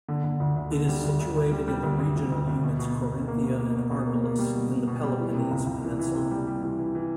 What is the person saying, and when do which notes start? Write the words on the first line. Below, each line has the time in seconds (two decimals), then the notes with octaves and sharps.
It is situated in the regional units Corinthia and Argolis, in the Peloponnese peninsula.
0.08 D3
0.24 D3
0.40 D2
0.56 D2
0.71 D3
0.88 G3
1.04 D2
1.20 D2
1.36 D2
1.52 G3
1.68 G3
1.83 D2
1.99 D2
2.16 D2
2.32 D2
2.48 D2
2.63 B2
2.79 B2
2.95 B2
3.12 B2
3.28 A#3
3.44 B2
3.60 A#3
3.75 B2
3.91 B2
4.07 A#3
4.24 A#3
4.39 G3
4.55 B2
4.71 B2
4.88 B2
5.03 G3
5.19 E3
5.35 C3
5.51 C#2
5.67 C#2
5.83 E3
5.99 E3
6.15 C3
6.31 G3
6.47 G3
6.63 E3
6.79 E3
6.95 E3